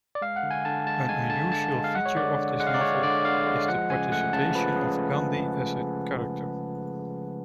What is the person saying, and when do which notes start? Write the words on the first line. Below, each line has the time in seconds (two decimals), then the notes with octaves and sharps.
An unusual feature of this novel is the participation of Gandhi as a character.
0.15 D5
0.22 G#3 F5
0.36 F#5
0.43 D3
0.51 G#5
0.65 D3 A5
0.87 G#3 A5
1.09 G#3 G#5
1.30 D3 A5
1.52 D3 A5
1.74 G#3
1.84 F5
1.95 G#3 F#5
2.06 C#5
2.17 D3 D5
2.39 D3
2.60 G#3 F#5
2.67 F5
2.74 D5
2.81 G#3 C#5
3.03 D3 D5
3.25 D3 F5
3.46 G#3
3.68 F3 F#5
3.90 C#3 G#5
4.12 A3 F#5
4.33 C#3 A5
4.55 F3 B4
4.76 C#3 G#4
4.99 A3